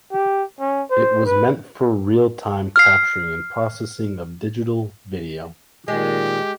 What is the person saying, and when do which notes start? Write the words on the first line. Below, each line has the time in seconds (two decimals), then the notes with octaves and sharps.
It was meant for real time capturing and processing of digital video.
0.12 G4
0.60 C#4
0.91 C5
1.26 B4
2.76 F6 C7
5.88 A#2 D#3 G#3 G4